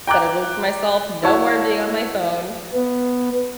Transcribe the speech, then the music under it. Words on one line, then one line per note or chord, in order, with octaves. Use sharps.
set a rule for myself. No more being on my phone,
G5 A#5 D6 F#6
E4 F#4 C#5 A5
B3